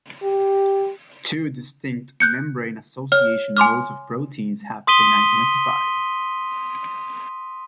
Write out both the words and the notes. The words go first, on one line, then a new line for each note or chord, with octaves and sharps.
Two distinct membrane-association modes of proteins have been identified.
G4
F#6 G6 C#7
C#5 F6
G#5 C6 D6 F6
C6 D#6 B6 D#7 G7